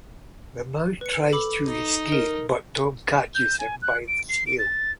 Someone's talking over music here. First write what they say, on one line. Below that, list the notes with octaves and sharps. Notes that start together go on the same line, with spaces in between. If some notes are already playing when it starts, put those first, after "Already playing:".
The mouse tries to escape but Tom catches him by the tail.
B4 C#7
A4 B5 D6
D#4
A#4 D#5
G6
G#5
F#6
D7
C7
D7
A6